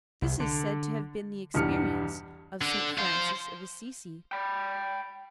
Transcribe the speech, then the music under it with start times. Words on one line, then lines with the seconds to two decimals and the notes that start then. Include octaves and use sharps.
This is said to have been the experience of St. Francis of Assisi.
0.22 C2
0.40 D3
1.54 B1 E2 G2 G3 F6 C#7
2.62 D3
2.98 F4 C5
4.31 G5 B5